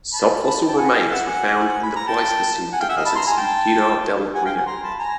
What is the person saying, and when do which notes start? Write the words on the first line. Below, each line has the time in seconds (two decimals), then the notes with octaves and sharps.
Subfossil remains were found in Pleistocene deposits in Pinar del Rio.
0.13 A5 B5
0.46 A5 B5
0.68 G5 A5
0.78 F#5 G#5
0.94 F5 G5
1.10 E5 F#5
1.26 F#5 G#5
1.83 B5
1.96 A#5
2.07 G5 A5
2.72 F#5 G#5
2.80 F5 G5
2.89 E5 F#5
2.96 D#5 F5
3.05 A5 B5
3.15 A#5 C6
3.27 G#5 A#5
3.37 G5 A5
4.35 F#5 G#5
4.45 F5 G5
4.56 F#5 G#5
4.67 A#5 C6
4.83 A5 B5
4.99 G#5 A#5